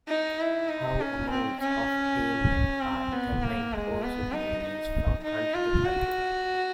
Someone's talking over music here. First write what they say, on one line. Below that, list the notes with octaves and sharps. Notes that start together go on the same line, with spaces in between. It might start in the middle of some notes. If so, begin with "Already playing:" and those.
How amounts of payment are determined also varies from country to country.
D#4
E4
D#4
C#4
C4
C#4
C4
B3
A#3
G#3
B3
D#4
D#4
D#4
F4
F#4